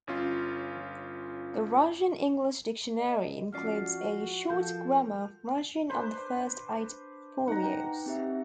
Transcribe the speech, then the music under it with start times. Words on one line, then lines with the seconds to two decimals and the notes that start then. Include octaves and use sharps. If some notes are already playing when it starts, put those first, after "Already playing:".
The Russian-English dictionary includes a short grammar of Russian on the first eight folios.
0.07 G1 C#4 F4
2.99 D#5
3.53 F3 C#4 F#4 D5 F6 C7
4.50 F3 A4 A#4 F5 G6
5.90 D4 B4 C5
7.48 D#4 F#5 A#5
7.62 B4 G5
8.06 C4 G4 E5